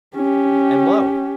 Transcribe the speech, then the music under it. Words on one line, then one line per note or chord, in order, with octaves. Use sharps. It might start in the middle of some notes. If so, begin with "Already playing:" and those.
And lo!
C#4 G4